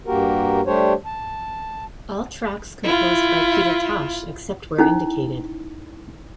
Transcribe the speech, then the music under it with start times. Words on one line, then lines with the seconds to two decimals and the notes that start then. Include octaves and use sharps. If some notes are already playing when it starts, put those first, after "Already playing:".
All tracks composed by Peter Tosh except where indicated.
0.07 G2 A#3 F#4 G4 A#4
0.66 G3 A3 D4 G4 C5 C#5
1.06 A5
2.83 E4 F4
4.78 C#4 D#4 E4